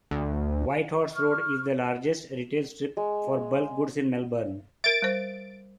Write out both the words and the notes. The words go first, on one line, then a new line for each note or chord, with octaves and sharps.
Whitehorse Road is the largest retail strip for bulkgoods in Melbourne.
D2
C#6 F6
G#3
A#4 E5 A6 D7
G3 C5